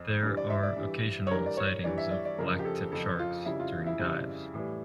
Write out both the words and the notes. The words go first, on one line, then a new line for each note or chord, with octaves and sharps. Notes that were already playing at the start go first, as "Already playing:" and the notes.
There are occasional sightings of black tip sharks during dives.
Already playing: F2
G2 E3 G3
D5
E5
D5
G2 E3 G3
C#5
G2 E3 G3 A#4
D5
C#5
G2 E3 G3 D5
E5
D5
D5
F2 C#3 F3 A#4
G4
A4
F2 C#3 F3 A4
F4
F2 C#3 G3 E4
F4
E4
F2 C#3 G3
A2 E3 G3